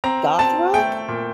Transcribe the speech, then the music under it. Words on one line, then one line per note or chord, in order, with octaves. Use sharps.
goth rock?
C4 A#5
C4 A5
A3 G5
A#2